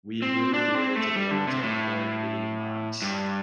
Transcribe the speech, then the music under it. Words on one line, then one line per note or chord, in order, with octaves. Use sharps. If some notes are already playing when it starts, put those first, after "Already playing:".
We brew beer to be able to afford being monks.
C4
D4
C4
A3
G3
D3
C3
A2
G2